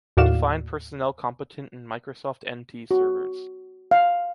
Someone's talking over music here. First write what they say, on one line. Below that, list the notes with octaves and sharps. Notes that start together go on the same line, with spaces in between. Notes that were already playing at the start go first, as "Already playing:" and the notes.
To find personnel competent in Microsoft NT Servers.
D#2 A2 F#4 D5 F5 E7
F#4
F5